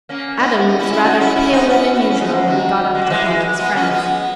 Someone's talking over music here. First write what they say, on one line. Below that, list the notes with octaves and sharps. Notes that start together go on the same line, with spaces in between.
Adam was rather paler than usual when he got up to thank his friends.
A#3 C#4
B3 D#4
E4
D#4
C#4 E4
E4
D#4 F#4
C#4 E4
C#4 E4
B3 D#4
C#4 E4
F#4
C#4 E4
C#4 E4
B3 D#4
E3 G#3
D#3 F#3
G#3
F#3
E3 G#3
G#3 B3
A#3 C#4
G#3 B3